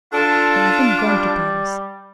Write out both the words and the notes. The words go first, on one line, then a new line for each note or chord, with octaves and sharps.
They haven't gone to Paris.
D4 F4 A4
G3